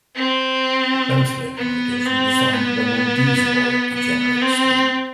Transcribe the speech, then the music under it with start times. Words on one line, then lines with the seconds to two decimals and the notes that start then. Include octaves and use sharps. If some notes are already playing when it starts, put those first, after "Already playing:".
Both locomotives were designed to run on diesel oil to generate steam.
0.16 C4
1.58 B3
2.05 C4
2.53 B3
3.94 B3
4.41 C4